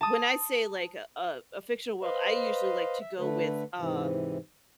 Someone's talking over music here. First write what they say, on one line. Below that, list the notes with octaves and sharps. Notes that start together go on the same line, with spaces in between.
when I say like a a a fictional world, I usually like to go with, um,
A5 D#6
B4 C5 D#5 F5
E5
D3 A3 B4
G#2 C3 E3